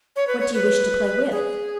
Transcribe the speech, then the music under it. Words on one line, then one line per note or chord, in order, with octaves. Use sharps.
"What do you wish to play with?"
C#5
B4
C#5
B4
G#4